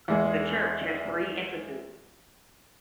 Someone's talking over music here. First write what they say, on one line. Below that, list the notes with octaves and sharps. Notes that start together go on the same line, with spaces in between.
The church has three entrances.
E2 G#3